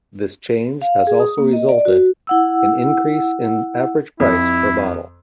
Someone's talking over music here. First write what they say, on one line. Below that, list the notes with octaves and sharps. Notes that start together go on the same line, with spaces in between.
This change has also resulted in increase in average price per bottle.
F5
G#4
D#6
A#3
D#5
D5
F#4
E4 F#5 E6
F2 E4